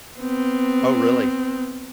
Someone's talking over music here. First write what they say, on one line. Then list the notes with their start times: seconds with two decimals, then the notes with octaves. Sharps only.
Oh, really?
0.19 B3 C4